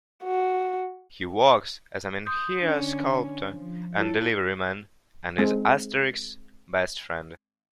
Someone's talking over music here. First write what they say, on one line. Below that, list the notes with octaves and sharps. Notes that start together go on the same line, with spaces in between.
He works as a menhir sculptor and deliveryman, and is Asterix's best friend.
F#4
C6 D#6 G6
D3 C#4 D4
F3
E4 F4 A4 C#5
G#3 C4